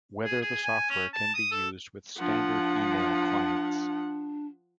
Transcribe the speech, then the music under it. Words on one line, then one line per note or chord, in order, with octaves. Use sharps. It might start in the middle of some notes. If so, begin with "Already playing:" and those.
Whether the software can be used with standard Email clients.
G#4
G#4
G#5
C#4
A5
D#6
A4
F3 D4 F#5